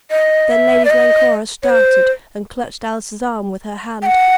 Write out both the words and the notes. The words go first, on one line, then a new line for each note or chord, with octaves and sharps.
Then Lady Glencora started and clutched Alice's arm with her hand.
D#5
E5
D5
D#5
C#5
C5
G5
F#5